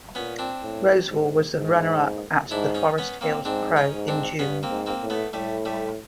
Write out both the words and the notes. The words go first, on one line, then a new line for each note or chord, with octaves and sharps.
Rosewall was the runner-up at the Forest Hills Pro in June.
A#2 B3 C#4
C4 D4
A2
G#2
G#2
G#2 D4 E4
C#4 D#4
B3 C#4
A#3 C4
G#2 C4 D4
C#4 D#4
G#2
C4 D4
G2 B3 C#4
A#3 C4
G#2
A#3 C4
A2
A3 B3
A2 G3 A3
G3 A3